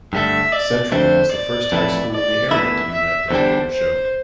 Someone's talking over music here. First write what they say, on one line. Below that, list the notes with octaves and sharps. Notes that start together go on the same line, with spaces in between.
Central was the first High school in the area to do that particular show.
G2 D3 A3 E5
D5
F2 D3 A3 C5
D5
F2 E3 A3 E4
D5
E2 E3 A3 E4 E5
E5
E2 D3 G3 D4 C5
C5